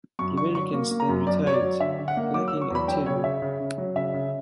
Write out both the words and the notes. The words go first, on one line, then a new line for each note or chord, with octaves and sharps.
The Americans then retired, lacking artillery.
F#2 C#6
D3 C#6
F#3 C#6
A#3
A#3
A#5
F#2
F#2 D5
F#3 C#5
D5
F#3
D3 E5
D3
F#5
A#3
F#3 D6
E6
F#3
C#6
E2 B5
F#3 G5
C#3 C#5
C#3 E5
C#3
C#3
F#3
C#3 E5
C#3